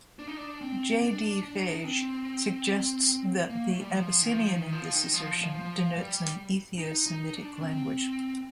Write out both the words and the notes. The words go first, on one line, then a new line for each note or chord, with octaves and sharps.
J. D. Fage suggests that the 'Abyssinian' in this assertion denotes an Ethio-Semitic language.
D4
D#4
D4
C4
D4
D4
D#4
D4
C4
A#3
A3
G3
F3
D#3
F3
D#3
F3
D#3
F3
F3
G3
D#4
D#4
D4
C4